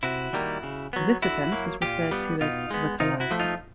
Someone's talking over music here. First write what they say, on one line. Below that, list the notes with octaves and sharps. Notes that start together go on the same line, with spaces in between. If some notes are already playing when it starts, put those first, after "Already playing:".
This event is referred to as "the collapse".
C3 E4 F#4
D#3 G3 A#3
C#3
F#3 B3
D3 E4 F#4
F#3 A#3
A#2 F4 G4
G3 B3
B2 D#4 F4
G#3 B3
C3 D#4 F4
E4 F#4
F3 A3
D#4 F4